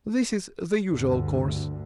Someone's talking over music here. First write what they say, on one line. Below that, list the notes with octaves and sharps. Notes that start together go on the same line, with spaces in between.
This is the usual course.
D2 G2 D3